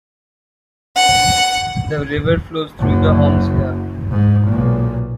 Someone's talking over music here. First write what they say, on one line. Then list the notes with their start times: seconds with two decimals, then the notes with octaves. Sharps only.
The river flows through the Homs Gap.
0.96 F#5
2.79 F#1 F#2
4.11 G#2
4.48 B1 A#2